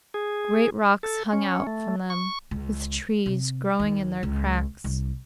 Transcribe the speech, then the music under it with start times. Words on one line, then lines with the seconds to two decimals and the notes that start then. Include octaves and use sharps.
Great rocks hung out from them, with trees growing in their cracks.
0.14 G#4
1.03 A4
1.33 C#4
1.67 A3
2.10 C#6
2.51 C#2
3.26 C3
3.79 D#2
4.23 C#2
4.84 C2